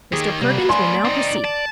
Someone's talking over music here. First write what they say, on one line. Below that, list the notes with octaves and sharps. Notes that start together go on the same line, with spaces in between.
"Mr. Perkins will now proceed."
D#3 G4 G#4
C3 G3 A#3 B4
D5 G#5 C6
C4 D#4
A5